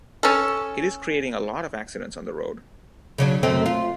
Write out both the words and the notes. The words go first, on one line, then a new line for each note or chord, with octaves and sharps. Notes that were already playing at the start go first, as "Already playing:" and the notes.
It is creating a lot of accidents on the road.
C#4 A4
C#3 F#3 D4
F#2 A3 C4
F4